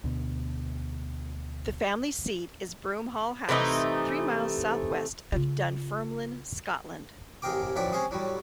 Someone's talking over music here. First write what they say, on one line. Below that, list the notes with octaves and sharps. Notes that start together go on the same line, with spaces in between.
The family seat is Broomhall House, three miles south-west of Dunfermline, Scotland.
D2 B2
C3 E3 A3 D#4
C#3 F4
A1 C3 G#4 A#4 G5 D6
F#2 A2 F3 B4 D5 G5
C3 G#3 C#4 G#4 C5 D#6
A2 F#3 G3